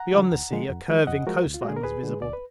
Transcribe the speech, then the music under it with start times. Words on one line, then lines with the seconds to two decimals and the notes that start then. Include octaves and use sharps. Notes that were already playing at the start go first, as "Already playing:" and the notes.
Beyond the sea, a curving coastline was visible.
Already playing: F#5 A#5
0.12 D3 F3 G#3
0.31 D2
0.51 D3 F3 G#3
0.69 F2
0.88 F3 G#3
1.07 F2 D#5 F#5
1.27 F3 G#3 F#4 A#4
1.46 D2
1.54 F4
1.62 F#4
1.65 D3 G#3 G#4
1.76 A#4
1.83 D2 G#4 B4
2.03 D3 G#3
2.22 D2 D5
2.33 B4